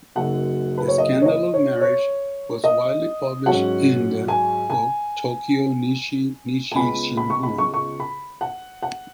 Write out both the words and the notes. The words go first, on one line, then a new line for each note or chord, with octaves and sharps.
The scandalous marriage was widely published in the "Tokyo Nichi Nichi Shimbun".
F#1 F#2 F#3 D#4 F#5
B4
C#5
D#5
C#5
D#5
C#5
C#5
D#5
G#2 F#3 C#4 F#5
G#5
G#5
G#5
C#2 C#3 B3 B5
B5
C#6
B5
C#6
C#6
B5
F#5
F#5